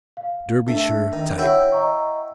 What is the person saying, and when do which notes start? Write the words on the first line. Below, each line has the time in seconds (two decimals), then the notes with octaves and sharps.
Derbyshire type.
0.17 F5
0.68 A3 D4 E5
1.13 D#3
1.38 E4 F#4 C#5 G5
1.72 D#5 A#5 C#6